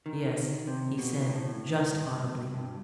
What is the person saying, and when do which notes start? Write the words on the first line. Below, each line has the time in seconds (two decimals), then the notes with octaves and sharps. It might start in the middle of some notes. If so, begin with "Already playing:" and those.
"Yes," he said, just audibly.
0.06 D#3
0.67 C3
0.98 B2
1.19 B2
1.29 A2
1.92 G2
2.54 G2